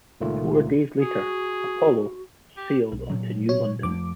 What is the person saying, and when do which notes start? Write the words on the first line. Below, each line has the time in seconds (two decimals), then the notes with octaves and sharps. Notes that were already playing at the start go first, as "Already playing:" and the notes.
Four days later, "Apollo" sailed on to New London.
0.21 C#2 A#2 D#3 A3 F4
1.01 F#4 G#4
2.57 G4
2.92 B1
3.10 A#2 F#3
3.49 C#5
3.83 F2 F3 A3 D6